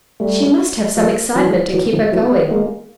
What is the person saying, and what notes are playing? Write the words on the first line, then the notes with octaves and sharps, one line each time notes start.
She must have some excitement to keep her going.
G3 A3
F3 G3
E3 F#3
E3 F#3
D#3 F3
E3 F#3
G3 A3
G#3 A#3